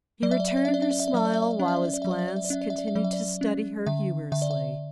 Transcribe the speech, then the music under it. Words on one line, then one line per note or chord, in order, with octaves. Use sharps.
He returned her smile while his glance continued to study her humorously.
F#3 D5
E5
D5
E5
D5
C#4 E5
D5
E5
D5
E5
D5
F#3 E5
D5
E5
D5
E5
C#4 D5
E5
D5
E5
D5
F#3 E5
D5
E5
D5
E5
D5
C#4 E5
D5
E5
D5
E5
F#3 D5
E5
D5
C#4
D3 E5
D3 E5
D5
E5